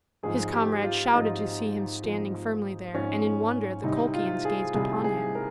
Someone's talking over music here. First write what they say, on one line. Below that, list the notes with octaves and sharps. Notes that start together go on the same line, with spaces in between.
His comrades shouted to see him standing firmly there, and in wonder the Colchians gazed upon him.
G#1 G#2 F3 G#4
G4
F4
G#1 G#2 F3 D#4
G#1 G#2 F3
G#1 G#2 F3 C#4
C2 C3 D#3 D#4
F4
G#4
C2 C3 D#3 G#4
G#4
A#4